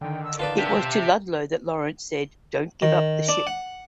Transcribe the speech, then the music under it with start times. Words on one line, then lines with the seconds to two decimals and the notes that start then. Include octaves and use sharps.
It was to Ludlow that Lawrence said Don't give up the ship.
0.01 D3 D#3 G5
0.24 E6
0.39 F4 B4 D5 A5
0.59 G4 E5
2.82 D#3
3.29 D4
3.47 F#5